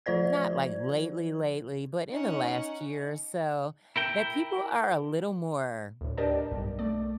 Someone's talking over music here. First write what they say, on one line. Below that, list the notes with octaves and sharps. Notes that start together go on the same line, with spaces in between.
not, like, lately, lately, but in the last year or so, that people are a little more
F3 F4 C5 D5 G#6
C#4 D#4 F#5
E4 A#4 G5
D2 A2
D4 G4 A#4 D5 D#5 A5
B1 G2
A3 D5